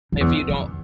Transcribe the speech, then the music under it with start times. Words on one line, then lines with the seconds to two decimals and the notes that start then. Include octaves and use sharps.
if you don't
0.12 F2
0.20 E2
0.49 F2